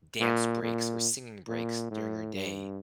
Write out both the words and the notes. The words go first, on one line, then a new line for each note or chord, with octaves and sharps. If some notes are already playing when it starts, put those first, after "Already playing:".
dance breaks or singing breaks during your day
A#2
A#2
A#2
A2
G2